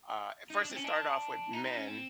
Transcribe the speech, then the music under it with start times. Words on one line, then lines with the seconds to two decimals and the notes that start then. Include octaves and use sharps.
uh at first it started off with men
0.50 D#4
0.59 D4
0.71 C4
0.76 C#4
0.84 D4
1.53 D#4
1.64 D#4
1.76 C#4
1.87 C4